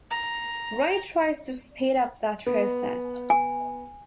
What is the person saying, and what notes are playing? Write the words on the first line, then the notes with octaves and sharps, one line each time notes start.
Ray tries to speed up that process.
A#5
B3
G#5